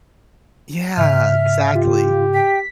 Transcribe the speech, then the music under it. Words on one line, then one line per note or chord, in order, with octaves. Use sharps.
Yeah, exactly.
G#2 C#3 E5 F6
F4 G4
G5 B6